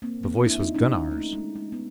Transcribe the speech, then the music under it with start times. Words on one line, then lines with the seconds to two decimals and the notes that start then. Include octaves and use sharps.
The voice was Gunnar's.
0.02 A#3 C4
0.23 A#3 C4
0.46 D4 E4
0.60 D#4 F4
0.75 C#4 D#4
1.12 A3
1.33 G#3
1.56 G#3
1.72 B3